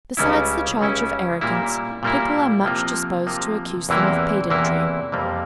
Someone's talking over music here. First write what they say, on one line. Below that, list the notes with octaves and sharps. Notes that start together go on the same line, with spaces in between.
Besides the charge of arrogance, people are much disposed to accuse them of pedantry.
C#2 C#3 G3 C#4 E4
C#2 C#3 G3 C#4 E4
A#2 G3 A#3 E4
A#2 G3 A#3 E4
C3 F3 A#3
C3 F3 A#3
E2 C3 E3 A#3 E4
E2 C3 E3 A#3 E4
F2 C3 G3 A#3